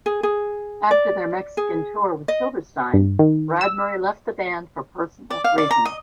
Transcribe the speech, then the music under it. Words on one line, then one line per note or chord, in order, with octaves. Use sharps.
After their Mexican tour with Silverstein, Brad Murray left the band for personal reasons.
G#4
G#4
D5
G#4
D#5
G2
D#3
E6
D5
F5
D5
A#5
D#5